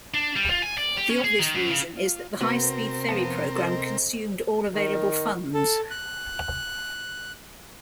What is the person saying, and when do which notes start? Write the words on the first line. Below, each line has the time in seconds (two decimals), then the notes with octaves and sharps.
The obvious reason is that the high speed ferry program consumed all available funds.
0.14 D4
0.36 G3
0.50 F4
0.62 G#5
0.78 D5
0.97 G4
1.09 C#4
1.24 G#4
1.39 D#3
1.54 F#2
1.70 C#3
1.97 F4
2.41 C3 B3 C4 F#4 A#4 B4
3.09 F2 B3 A5
3.56 A4 C5 D#5
4.74 D#3
5.54 A4
5.90 F#6